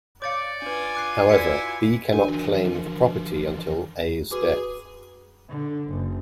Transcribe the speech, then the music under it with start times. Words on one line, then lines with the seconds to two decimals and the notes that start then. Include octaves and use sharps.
However, B cannot claim the property until A's death.
0.22 C#5 D5 F5 D6 A6 C#7
0.62 D4 F4 B4 G#5
0.95 D6 F#6 C7
1.29 E4 F#4 B4 D5 C#7
2.12 D4 F#4 A#4 G#5
2.29 E3 F3
4.32 F#4 G#4 B4 D6
5.49 D3
5.90 F#1